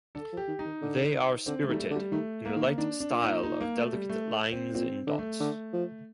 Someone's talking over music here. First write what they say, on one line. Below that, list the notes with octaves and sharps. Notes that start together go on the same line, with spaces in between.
They are spirited, in a light style of delicate lines and dots.
D3 A4
F3
G4
D#3
D#4
D#3
D3
D3 C4
A3
D#3
G3
A3
D3
G3
D#3 A3
A#3
D#3
D#3 D4
D4
A#2
D#4
D#4
A#3
A3
G3
A3
C4
A#2 C4
D3
A3
D3
F3